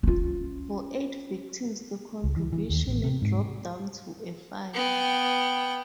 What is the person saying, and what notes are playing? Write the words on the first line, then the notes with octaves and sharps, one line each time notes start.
For eight victims the contribution dropped down to a five.
C#4 F4
C#2
E3
E3
D#2
A1
C3
G#2
B3 G5